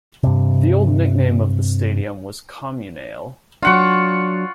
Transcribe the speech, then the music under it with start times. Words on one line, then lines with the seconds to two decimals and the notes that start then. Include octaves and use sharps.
The old nickname of the stadium was Comunale.
0.23 G2 C3
3.62 F#3 D4 F4 F#5 C#6